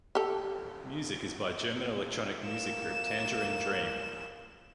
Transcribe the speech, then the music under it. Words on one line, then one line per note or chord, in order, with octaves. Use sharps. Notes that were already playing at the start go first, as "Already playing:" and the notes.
Music is by German electronic music group Tangerine Dream.
G4 A4
A#3 E7